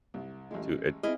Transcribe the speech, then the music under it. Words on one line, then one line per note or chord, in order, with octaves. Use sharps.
to ach
C2
A1 C#3 G#3
C4 E4 G#4 D#5 F6